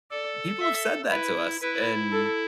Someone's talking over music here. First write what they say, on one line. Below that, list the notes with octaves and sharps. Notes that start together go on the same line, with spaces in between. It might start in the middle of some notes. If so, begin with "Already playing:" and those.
People have said that to us, and
A4 D5
E5
E4 B4
E4 B4
A4